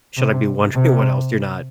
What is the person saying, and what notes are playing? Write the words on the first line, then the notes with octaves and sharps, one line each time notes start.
should I be wondering what else you're not
C3
C3